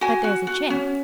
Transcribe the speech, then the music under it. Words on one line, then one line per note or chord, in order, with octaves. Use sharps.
"But there's a chance?"
F#4 G#5
F#4
F#4
C#4